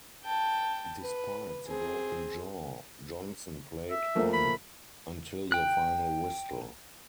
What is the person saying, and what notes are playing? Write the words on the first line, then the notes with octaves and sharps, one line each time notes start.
Despite the broken jaw, Johnson played on until the final whistle.
G5 A5
B4
C4 G#4
E5
F3 A3 A#3
B5
G5 F#6